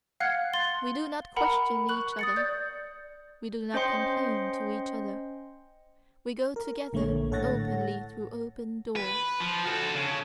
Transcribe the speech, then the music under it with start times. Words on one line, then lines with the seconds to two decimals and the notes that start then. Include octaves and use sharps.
We do not question each other, we do not complain to each other; we go together openly through open doors.
0.20 F5 F#5 F6 F#6 G#6 C#7
0.53 C6 A6 G7
1.36 A#4 F#5 A#5 B5
1.89 C#6 F#6 F#7
2.19 D#6 A6 C#7
2.36 D5 G6
3.74 C#4 C5 D#5 G5 C6 C#7
6.56 A#4
6.93 A#1 D3 A3 A#3 C#5
7.31 A2 A4 C#5 F#5 A6 A#6
8.96 B4
9.40 F3
9.65 F#4 A4
9.95 C#3